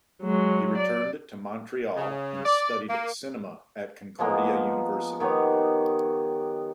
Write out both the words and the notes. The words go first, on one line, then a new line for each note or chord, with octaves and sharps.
He returned to Montreal and studied cinema at Concordia University.
F#3 G#3
D5
C#3
D5
A#3
F3 G#3 A#3 B3
D#3 B3 G4 C#5